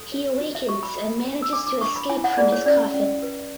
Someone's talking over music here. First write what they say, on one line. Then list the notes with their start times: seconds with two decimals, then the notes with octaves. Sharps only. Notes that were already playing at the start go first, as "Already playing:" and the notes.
He awakens and manages to escape from his coffin.
Already playing: A4
0.12 C#5
0.40 F#4
0.55 E5
0.68 F#4 C#6
0.83 B5
0.97 A4
1.24 C#5
1.42 E6
1.53 D4 D6
1.67 D6
1.81 D4 C#6
1.96 B5
2.09 E4 G#5
2.24 F#5
2.38 G#4 D5
2.52 C#5
2.66 C#4 D5
2.94 C#4
3.22 B4